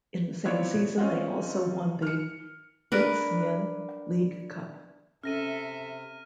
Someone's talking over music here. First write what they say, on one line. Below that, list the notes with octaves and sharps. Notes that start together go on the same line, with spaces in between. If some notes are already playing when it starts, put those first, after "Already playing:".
In the same season they also won the Isthmian League Cup.
F3 B3 C4 E4 C#5 D5
C4 C#4 F4 D#5 F#5
F6 C#7
D4 A#4 B4
C3 C#4 A4 E5 F6 A#6 D#7